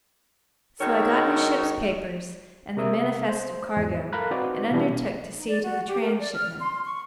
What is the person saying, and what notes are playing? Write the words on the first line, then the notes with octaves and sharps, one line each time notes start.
So I got his ship's papers, and the manifests of cargo, and undertook to see to the trans-shipment.
D#3 G#3 F#4 A4 C#5
C3 A#3 A#4 E5 D#6
C5
E2 G#2
A4 A#4 F5 A#5 B5 F#6
C4 D#4 F#4 B4 C5 D5
B2 E3 G3 D4 E4
D#4
D5
F#4
G4
A#4
D5
F6
C6
C#6